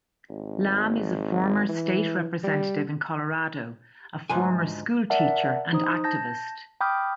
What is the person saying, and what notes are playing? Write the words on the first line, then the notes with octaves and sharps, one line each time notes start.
Lamm is a former State Representative in Colorado, a former school teacher, and activist.
G#1
E3
G3
D2 G#2 F3 G#5
A#4 D5 E5 F#5 A5
D#4 C5 D#6
A5 G6 A#6
G5 B5 D6 D#6 F6 G6